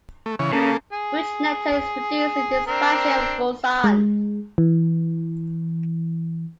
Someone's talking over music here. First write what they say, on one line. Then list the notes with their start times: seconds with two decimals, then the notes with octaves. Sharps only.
Fruit nectar is produced in this factory of Gulsan.
0.26 A3
0.39 C#3 E3 C#5
0.53 C#3 A#3 A4
0.93 G#4
2.67 C4 D4 A#4
3.84 G#3
4.58 E3